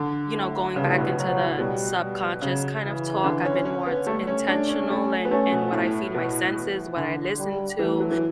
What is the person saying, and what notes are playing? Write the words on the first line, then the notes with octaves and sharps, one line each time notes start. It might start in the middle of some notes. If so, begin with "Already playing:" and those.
you know, going back into the subconscious kind of talk, I've been more t intentional in in what I feed my senses, what I listen to.
Already playing: D3
A2
G2 C#3
A2
B2
B2
F#3
B2 G3
G3
C#3 F#3
E3
D3
C#4
C#4
B3
G3 A3
C#4
A3 D4
C#4
A3 C#4
B3
A3 C#4
B2
A2 A3
B2
E3
D3
G3
E3 A3
F#3
E3